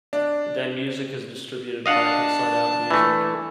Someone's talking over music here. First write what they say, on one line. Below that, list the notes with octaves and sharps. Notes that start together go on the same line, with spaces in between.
Their music is distributed by Inside Out Music.
D4
D4 D#5 F5 F#5 A5
E3 A3